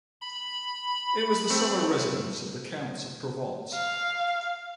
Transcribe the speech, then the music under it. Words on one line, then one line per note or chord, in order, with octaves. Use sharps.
It was the summer residence of the counts of Provence.
B5
A3 C4
F5